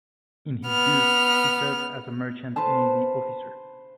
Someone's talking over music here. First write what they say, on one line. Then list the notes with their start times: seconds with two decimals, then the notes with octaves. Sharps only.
In his youth he served as a merchant navy officer.
0.68 B3 F6
2.56 B4 C5 F5 A5